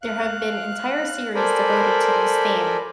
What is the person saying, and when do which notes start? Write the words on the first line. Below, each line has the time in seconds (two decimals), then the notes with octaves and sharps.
There have been entire series devoted to this theme.
0.02 F5 F#6
1.35 A4 A#4 C5 D5 G#5 B5